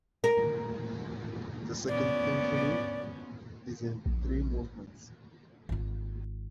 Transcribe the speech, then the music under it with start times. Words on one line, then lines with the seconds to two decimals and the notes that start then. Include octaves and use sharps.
The Second Symphony is in three movements.
0.24 A#4
1.88 B3 C#4 D5
4.06 A#1
5.69 G#1 F4